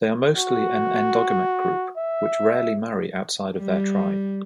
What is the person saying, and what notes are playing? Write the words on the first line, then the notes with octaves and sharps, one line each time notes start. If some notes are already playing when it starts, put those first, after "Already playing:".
They are mostly an endogamic group which rarely marry outside of their tribe.
F#4
E5
G3